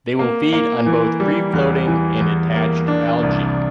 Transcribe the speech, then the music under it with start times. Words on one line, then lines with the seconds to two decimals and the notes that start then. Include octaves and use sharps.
They will feed on both free floating and attached algae.
0.19 A#3
0.53 A#3
0.86 E3
1.20 G3
1.53 E2
1.87 E3
2.21 E2
2.54 A#3
2.88 D4
3.23 C2